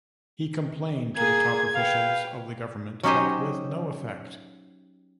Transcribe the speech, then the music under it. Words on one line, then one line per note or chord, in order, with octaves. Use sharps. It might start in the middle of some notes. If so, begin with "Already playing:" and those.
He complained to the top officials of the government but with no effect.
A#3 G#4 G#6
B4 F5 G5
F#3 C#4 D#4 G4 C5 D#5